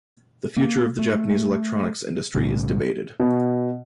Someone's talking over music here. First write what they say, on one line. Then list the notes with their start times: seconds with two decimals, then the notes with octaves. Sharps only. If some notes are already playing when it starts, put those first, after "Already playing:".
The future of the Japanese electronics industry is debated.
0.56 A#3
0.99 A3
2.34 B1 A2 C#3 G3
3.20 B2